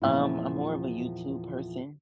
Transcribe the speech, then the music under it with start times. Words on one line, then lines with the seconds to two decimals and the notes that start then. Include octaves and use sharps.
Um, I'm more of a YouTube person,
0.02 E2 A#2 F3 C4 E4